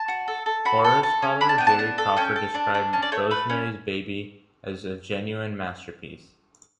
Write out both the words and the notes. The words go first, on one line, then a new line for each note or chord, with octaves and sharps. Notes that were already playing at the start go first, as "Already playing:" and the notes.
Horror scholar Gary Crawford described "Rosemary's Baby" as "a genuine masterpiece".
Already playing: A5
F#4
A4
A4
F#4 B5
A4
A4
C#4
D4 B5
A5
B3 G5
A5
D4
A4
C#4 G5
A4
D4 A5
D4
C#4 A5
D5
A3 C#5
A3 B4
C#4